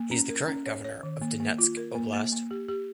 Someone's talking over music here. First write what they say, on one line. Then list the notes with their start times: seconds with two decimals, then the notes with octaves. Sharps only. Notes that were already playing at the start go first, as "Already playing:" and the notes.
He is the current Governor of Donetsk Oblast.
Already playing: A#3
0.11 C#4
0.30 A#4
0.48 C#4
0.66 C#5
0.84 C#5
1.03 D#3
1.21 A#3
1.40 A#3
1.59 F4
1.77 A#4
1.95 A#3
2.13 A#3
2.32 A#3
2.51 G4
2.68 G4